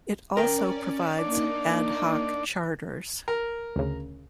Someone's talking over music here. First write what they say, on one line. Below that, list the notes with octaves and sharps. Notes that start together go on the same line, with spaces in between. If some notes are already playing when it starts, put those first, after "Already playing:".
It also provides ad-hoc charters.
C#4 A#4 D5 G5
A#3 D4 D#4 D5
A#4
D2 C#3